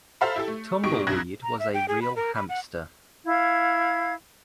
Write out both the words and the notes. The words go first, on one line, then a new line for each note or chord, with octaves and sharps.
Tumbleweed was a real hamster.
A4 C5 E5 F5 A#5 B5
E4 G4 A4
A3
G#2 B2 G4 D#5 C#6 D7
C2 G2 F#6 G#6 A#6
A#5
E5
G5
G#4
B5
A#4
B5
F#5
E4 F5 G#6